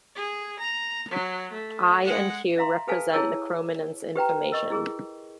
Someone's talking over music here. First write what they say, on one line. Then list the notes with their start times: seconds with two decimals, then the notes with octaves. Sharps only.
I and Q represent the chrominance information.
0.16 G#4
0.60 A#5
1.11 F#3
1.52 A3
2.05 G#3 F#5
2.58 E5 F5 A#5 C6
2.87 G4 A4 B4 F5 G#5 A5
3.13 E4 G#4 C#5 G#5 A5 E6
4.15 G4 B4 G5 A#5
4.52 A#4 D#5 C#6
4.70 E4 G#4 A#4